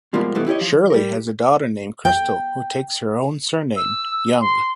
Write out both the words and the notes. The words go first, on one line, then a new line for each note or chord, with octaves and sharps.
Shirley has a daughter named Krystal who takes her own surname, Yeung.
B2 F3 G3 G#3 A#3
G2 B2 E3 A3
E4 G4 B4 C#5 D#5
F3
G3 A#4
G5
E6
C6